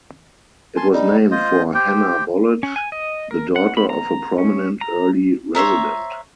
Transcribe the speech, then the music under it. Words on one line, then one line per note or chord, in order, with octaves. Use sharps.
It was named for Hanna Bullett, the daughter of a prominent early resident.
G#5 A5 C6
G3 D#4
F4 C5 D#5
G4 C5 G5
C#4
G#5
D#5
A#4
F#5
B5
A#5
C#4
A#5
C5 C#5 E5 A#5